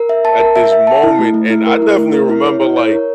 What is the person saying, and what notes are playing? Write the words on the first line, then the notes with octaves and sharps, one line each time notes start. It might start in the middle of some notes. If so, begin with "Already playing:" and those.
at this moment. And I definitely remember, like,
Already playing: A#4
E5
A5
A#4
E5
E5
A5
E4
A3
A3
E4
A#4
E4
A3
A#4
E4
C#5
E4
C#5
A#4